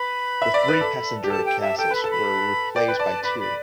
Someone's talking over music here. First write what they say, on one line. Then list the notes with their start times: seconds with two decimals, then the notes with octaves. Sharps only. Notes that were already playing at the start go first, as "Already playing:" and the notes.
The three passenger classes were replaced by two.
Already playing: B4 B5
0.42 E5
0.54 D5
0.68 B4
0.81 A4
1.24 G4
1.29 A4 A5
1.45 G5
1.61 E5
1.78 A4 G5
1.91 B4 B5
2.03 A4 A5
2.11 B5
2.75 D5 G5
2.88 B4
2.99 D5 A5
3.23 B4 B5
3.39 B5